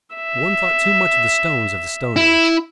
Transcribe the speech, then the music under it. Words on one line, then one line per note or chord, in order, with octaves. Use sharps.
One thought too much of the stones of the Stone Age.
E5
E4